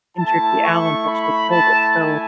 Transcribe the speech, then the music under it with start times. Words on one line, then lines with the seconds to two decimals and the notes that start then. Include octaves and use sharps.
injured the owl and eventually killed it, so,
0.17 A3 E4 A5
0.62 C#6
1.06 B5
1.50 A5
1.94 G#5